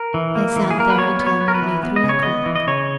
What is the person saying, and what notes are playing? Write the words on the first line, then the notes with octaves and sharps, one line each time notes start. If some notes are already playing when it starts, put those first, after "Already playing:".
They sat there until nearly three o'clock.
Already playing: A#4
E3
A#3
E3
G#4
A#3 A#4
B4
B3 C#5
B3
C#5
B3
A#4
B4
E3
B3
D#5
C#3
C#5
B3 D#5
E3
D#5
C#3 C#5